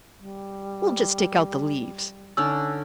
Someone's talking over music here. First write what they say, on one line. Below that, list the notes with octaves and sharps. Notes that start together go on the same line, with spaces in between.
We'll just take out the leaves.
G3
D3 C#4 D#4 D5 E6